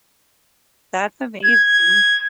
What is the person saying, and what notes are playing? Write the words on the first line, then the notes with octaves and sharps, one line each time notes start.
That's amazing.
G#6